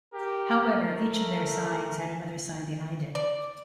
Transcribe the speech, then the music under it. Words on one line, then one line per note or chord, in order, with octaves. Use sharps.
However, each of their signs had another sign behind it.
G4 A#4
A3
D5